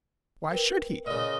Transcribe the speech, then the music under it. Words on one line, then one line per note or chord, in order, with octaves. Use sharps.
Why should he?
A#4 B4 G5
A#2 C#3 D#5